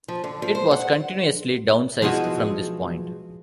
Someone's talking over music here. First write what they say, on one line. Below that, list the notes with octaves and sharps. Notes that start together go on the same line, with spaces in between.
It was continuously downsized from this point.
F3
D3
F3
C5
F#5
B1 F3 G#3 E4 F#4 D#5